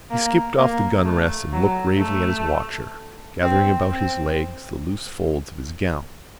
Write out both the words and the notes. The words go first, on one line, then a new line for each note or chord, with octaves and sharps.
He skipped off the gunrest and looked gravely at his watcher, gathering about his legs the loose folds of his gown.
A#3
A#3
A3
F#3
A3
C4
C4